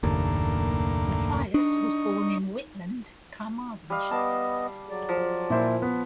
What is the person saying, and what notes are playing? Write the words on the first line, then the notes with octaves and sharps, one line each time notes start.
Mathias was born in Whitland, Carmarthenshire.
F#1 D#2 A2 A#3 D4
D4 D#4 C#6
G3 D#5 F5
B3 D#5 A5 D6
F#3 D5
F3
A#2 E4 C5
B3